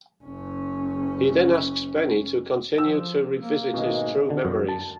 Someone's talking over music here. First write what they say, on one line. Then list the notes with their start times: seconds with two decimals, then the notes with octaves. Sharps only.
He then asks Benny to continue to revisit his true memories.
0.24 F#1 C#4
2.78 F3 E6
3.34 A#3
3.73 G#1 B2 G#3
4.30 D3
4.45 F#2
4.69 A5